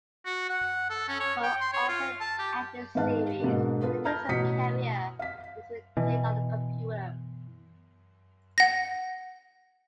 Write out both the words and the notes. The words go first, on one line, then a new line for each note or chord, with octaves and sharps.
For an open ended series, the digital carrier is retained on the computer.
F#4
F#5
A4
C#4
C#5
G5
C6
C#5
F4
A5
G4
G#2 D#3 B4 F5 A5 F#6
G#2 B2 A#3 D4
B3 F4 A4 B4
A5 A#5 F6 G6 G#6 A#6
A1 B2 D#6 B6 C#7
F5 B6
B2 E3
F#5 A#6